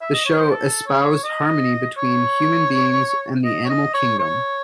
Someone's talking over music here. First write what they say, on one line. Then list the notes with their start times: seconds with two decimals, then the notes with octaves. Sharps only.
The show espoused harmony between human beings and the animal kingdom.
0.01 E5
0.13 D#5
0.26 C#5
0.38 C5
0.50 A4
0.87 C#5
1.24 D#5
1.98 C#5
3.44 D#5
3.65 C#5
3.69 D#5
3.94 C#5
4.19 C#5